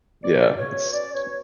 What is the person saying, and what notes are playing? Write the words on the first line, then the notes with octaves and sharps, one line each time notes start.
Yeah, it's t
B2 D5
C#2
C#5
B2
C#4 D5
B2 C#5